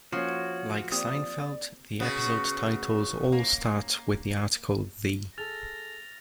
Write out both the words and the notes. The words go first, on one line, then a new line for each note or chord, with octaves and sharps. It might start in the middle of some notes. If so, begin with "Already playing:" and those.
Like "Seinfeld", the episode titles all start with the article "The".
F3 A#3 C#4 F#4 C#5
A#3 C4 G4 D5 D#6
C#3 B3 F#4
A#3
G#4 A4 F6 A6 A#6 F7